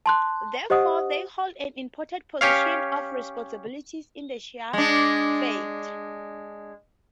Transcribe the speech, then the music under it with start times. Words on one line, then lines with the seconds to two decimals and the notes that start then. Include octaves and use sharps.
Therefore, they hold an important position of responsibility in the Shia faith.
0.06 A5 C6 F#6
0.70 G4 C5 D#5 F#5 D#6
2.41 C#4 G4 C#5 F5
4.73 G#3 D4